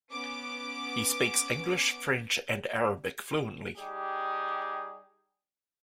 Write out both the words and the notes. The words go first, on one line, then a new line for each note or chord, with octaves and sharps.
He speaks English, French, and Arabic fluently.
B3 C#4 D6
G3 D#4 G4 G#4